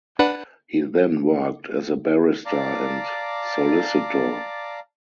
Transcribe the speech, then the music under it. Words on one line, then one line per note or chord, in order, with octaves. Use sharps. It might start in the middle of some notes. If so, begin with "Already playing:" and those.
He then worked as a barrister and solicitor.
D4 B4 F#5
D5 F5 A5 A#5 D6